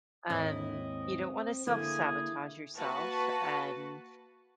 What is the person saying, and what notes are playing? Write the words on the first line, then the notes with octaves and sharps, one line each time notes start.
um, you don't wanna self-sabotage yourself, and
D#2 G#2 C4 E4 D#5
D3 A#3 E4 G#4
A#3 F#4 B4 A5